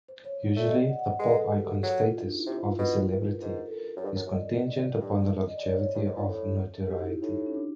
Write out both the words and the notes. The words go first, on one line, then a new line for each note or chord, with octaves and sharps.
Usually, the pop icon status of a celebrity is contingent upon longevity of notoriety.
C5
C#5
A3 D5
D#5
F#5
F#5
C5
G#3 B4
A4
G#4
G4
F#4
G4
F#3
F4
F#4
D4
D#4
E4
C3 F4
F4
B2 F4
G4
B4
A#4
G#2 A#4
A4
A#4
F#2
G2
F#2
F#2
D#5
D5
D#5
D5
G2
D#5
D5
C#5
C5
C#5
G2 C5
G#2
A#2
A2
G4
F#4
D#4
E4
A2 D#4
C#4
D4